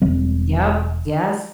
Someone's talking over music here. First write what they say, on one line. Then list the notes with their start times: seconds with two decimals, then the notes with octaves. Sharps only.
Yup, yes,
0.02 E1 G3 C4